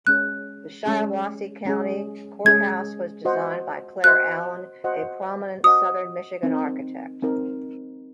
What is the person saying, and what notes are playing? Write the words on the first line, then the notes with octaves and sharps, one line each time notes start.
The Shiawassee County Courthouse was designed by Claire Allen, a prominent southern Michigan architect.
G#3 C#4 G#4 F#6
G#3 C#4 G#4
G#3 C#4 G#4
G#3 C#4 G#4 G#6
F#4 C5 D#5 F#5
F#4 C5 D#5 F#5 F#6
F#4 C5 D#5 F#5
F#4 C5 D#5 F#5 D#6
C4 D#4 A#4
C4 D#4 A#4